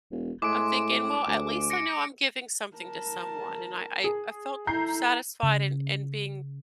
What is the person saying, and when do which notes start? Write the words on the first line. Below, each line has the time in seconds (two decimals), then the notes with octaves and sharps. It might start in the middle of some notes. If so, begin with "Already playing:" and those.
I'm thinking, "Well, at least I know I'm giving something to someone," and I I I felt satisfied in in being
0.11 E1
0.42 A2 G#3 D6 D7
1.28 D2
1.70 A#6 C#7 D7
2.76 A#4 A5
4.04 G#4
4.67 E4 A4 A#5 G6 C7
5.43 C#3